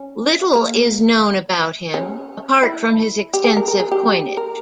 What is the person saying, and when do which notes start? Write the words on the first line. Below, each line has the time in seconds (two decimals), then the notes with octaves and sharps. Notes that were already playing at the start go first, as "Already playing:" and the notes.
Little is known about him, apart from his extensive coinage.
Already playing: C#4
0.55 A#3
1.94 C#4
2.63 E4
3.33 G4
3.44 G#4
3.57 A#4
3.68 A#4
3.80 G#4
3.92 G4
4.37 A#4